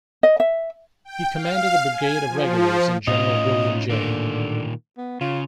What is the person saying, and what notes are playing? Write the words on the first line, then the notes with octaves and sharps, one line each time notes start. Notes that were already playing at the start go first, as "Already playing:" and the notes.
He commanded a brigade of regulars in General William J.
D#5
E5
G5
F5
G#5
F3
A2 C#4 D#4 F4 D#5
A#2 D3 D#3 A#3
B3
C#3 F4